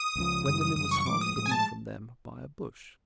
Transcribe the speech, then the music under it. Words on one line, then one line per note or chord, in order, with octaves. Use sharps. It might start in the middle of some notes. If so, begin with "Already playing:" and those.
Gwendolen was half hidden from them by a bush.
Already playing: D#6
C#2 C#3 F3
F#2 C#3 E3 G3 D#6
D#6
F#2 C#3 E3 G3 D#6
C#6
A2 F3 G#3 D6
D#6
A2 F3 G#3 D#6
G#5
A5